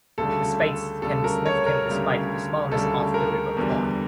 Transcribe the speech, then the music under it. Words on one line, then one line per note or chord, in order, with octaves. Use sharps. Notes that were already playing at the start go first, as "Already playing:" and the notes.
The spates can be significant despite the smallness of the river pond.
D2 C#3 G3 A4
A4
D2 C#3 G3 A4
A#4
C#5
A#4
D2 C#3 G3
D2 C#3 G3 A4
A#4
E2 D3 G3